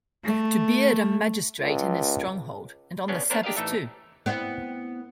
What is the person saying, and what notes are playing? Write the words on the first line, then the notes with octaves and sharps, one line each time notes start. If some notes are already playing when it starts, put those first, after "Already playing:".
To beard a magistrate in his stronghold, and on the Sabbath, too!
A3
C#2
C#3 B3 C#4 D4
B3 C#4 D4 A#4 C5
D4 G4 A#4 D#5 F5
A1 E3 A3 D#4 A4 E5
B3 C4 E4